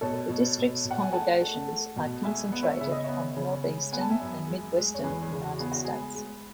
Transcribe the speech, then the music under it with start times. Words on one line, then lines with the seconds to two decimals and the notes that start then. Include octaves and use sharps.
The district's congregations are concentrated in the Northeastern and Midwestern United States.
0.01 B2 A4 C#5
0.29 B2
0.58 B2
0.85 B2
0.91 F#5
1.02 G#5
1.13 A3 F#5 A5
1.42 A3
1.69 A3
1.96 B2
2.24 G#3 E5 G#5
2.52 B3
2.63 C#5 E5
2.81 C#3 E5
2.92 D#5
3.03 B3 C#5 E5
3.37 C#3
3.64 G#3
3.93 B3 G#5
4.01 A5
4.10 E5 G#5
4.21 F#2
4.48 G#3
4.76 G#3
4.94 C#5
5.03 E2 G#4 B4
5.23 G#4
5.32 C#3
5.42 F#4
5.59 B3 G#4
5.72 F#4
5.85 G#3 G#4
6.15 G#3